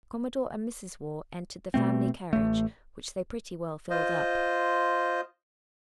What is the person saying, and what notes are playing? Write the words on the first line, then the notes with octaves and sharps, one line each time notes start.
Commodore and Mrs. Waugh entered the family carriage, which they pretty well filled up.
B2 A3 C4
A1 A3
F4 C5 D#5